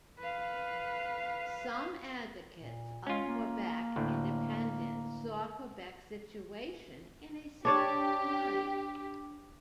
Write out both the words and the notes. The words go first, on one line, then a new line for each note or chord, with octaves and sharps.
Some advocates of Quebec independence saw Quebec's situation in a similar light.
B4 F5
A#2
G#3 C#4 F4
A#3
D2 A2
D4 G4 C#5 D5 D6